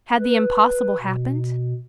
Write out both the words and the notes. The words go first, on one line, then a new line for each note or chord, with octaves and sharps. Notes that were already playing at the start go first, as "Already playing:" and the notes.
Had the impossible happened?
B4
B2